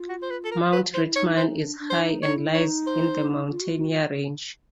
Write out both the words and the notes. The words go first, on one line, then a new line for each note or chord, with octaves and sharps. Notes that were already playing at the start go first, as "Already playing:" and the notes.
Mount Rittmann is high and lies in the Mountaineer Range.
Already playing: F4
F#4
C5
B4
A4
A#4
B4
E4 C5
D#4 C#5
D#4 C5
D4
D4
C5
D#4
D#4 C#5
E4
D#4 C#5
C5
F4
F#4
F4
F#4
F4